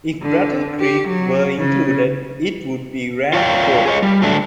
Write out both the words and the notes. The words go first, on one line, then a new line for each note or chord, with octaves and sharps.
If Battle Creek were included, it would be ranked fourth.
D3
G4
F#3
C#3
F4 C#5 D5 F5 G5
G#4 C#5 D#5
G3
F#3 A3 D4